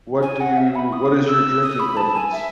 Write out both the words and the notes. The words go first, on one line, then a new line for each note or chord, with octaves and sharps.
What do you what is your drinking preference?
G#5
F#5
E5
B5
D#6
E6
D#6
B5
A5
G#5
E5